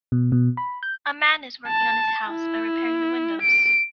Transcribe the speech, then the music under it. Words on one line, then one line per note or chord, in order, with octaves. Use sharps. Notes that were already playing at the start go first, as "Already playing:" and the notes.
A man is working on his house by repairing the windows.
B2
B2
B5
G6
A5
E4
D7